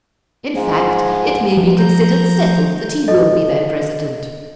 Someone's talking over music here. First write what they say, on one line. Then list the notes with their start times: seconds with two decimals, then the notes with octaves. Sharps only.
In fact, it may be considered settled that he will be their President.
0.54 G#2 F3 G#3
1.57 G2 C3 F3
1.78 A#5 G6
3.08 A4 D#5